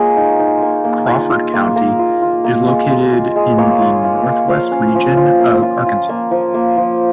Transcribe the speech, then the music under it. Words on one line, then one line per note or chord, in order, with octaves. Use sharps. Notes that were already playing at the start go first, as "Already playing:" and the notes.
Crawford County is located in the northwest region of Arkansas.
Already playing: G#3 A#3 F4 G#4 C#5 D#5
D#4
D#4
A#3
A#3
F4
F4
A#3
A#3 A#4
F4
F4
A#3
G#3
F4
F4
G#3
A#3 C#5
F4
F4
A#3
F3 F5
C#4
F3
F4
A#3
F4
F4
A#3
F3
A#3
F3